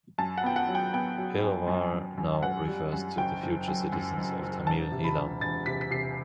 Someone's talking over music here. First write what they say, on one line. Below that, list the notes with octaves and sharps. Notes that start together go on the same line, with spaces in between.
Eelavar now refers to the future citizens of Tamil Eelam.
F#2 A5
F#5
B3 G5
F#5
F#3
G5
B3 G5
F#3
F#2
F#2
F#2
F#2
F#2 F#5
G3
F#2
F#1 G5
F#1
F#2
F#2
F#1
F#1
E1 A5
C3
B5
E1
E1 A6
C3 B6
B6
C3 C7